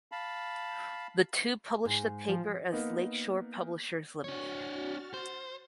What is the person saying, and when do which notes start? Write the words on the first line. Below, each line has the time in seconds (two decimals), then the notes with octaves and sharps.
The two published the paper as Lakeshore Publishers Limited.
0.12 F5 A5 B5
1.85 G#2
2.28 F3
2.72 A#3 B3 D#4
4.24 D4 F#4 C#5 F6 A6
5.14 C5